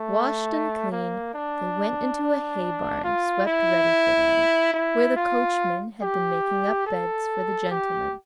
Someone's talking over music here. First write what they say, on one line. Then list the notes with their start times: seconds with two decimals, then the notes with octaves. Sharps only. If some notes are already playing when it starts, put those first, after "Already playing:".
Washed and clean, they went into a hay-barn swept ready for them, where the coachman had been making up beds for the gentlemen.
Already playing: A3
0.92 A#3
1.34 D4
3.04 F4
3.46 E4
4.74 E4
5.16 F4
6.02 G4
6.87 A4
7.71 G4